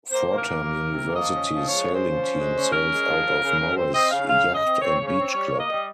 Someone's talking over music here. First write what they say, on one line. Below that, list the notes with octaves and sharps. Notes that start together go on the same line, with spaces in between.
Fordham University's Sailing Team sails out of Morris Yacht and Beach Club.
A#3 C5
A#3
A#4
A#3
A#3
C3
A#3
F3 D#5
C#4
F3
G#3 C#5
C#4
C5
F3
C#4
G#3
C#4
C#4 A#4
G#3
F3
C#3
C#3
C#3
C4 C5
C4 D#5
C#3 F5
C#3 F5
C#3
D#5
C4
C4 C#5
C#3
C#5
C4
G3 C#5
A#3
D#5
G3